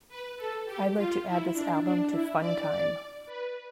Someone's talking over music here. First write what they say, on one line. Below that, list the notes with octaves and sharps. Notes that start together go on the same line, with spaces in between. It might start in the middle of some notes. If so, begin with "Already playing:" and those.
I'd like to add this album to funtime.
B4
A4
G4
F4
E4
D4
D4
E4
D5
D5
B4